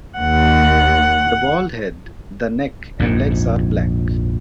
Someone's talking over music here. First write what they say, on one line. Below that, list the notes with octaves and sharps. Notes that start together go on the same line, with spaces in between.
The bald head, the neck and legs are black.
D#2 F#5
A#1 F2 G#2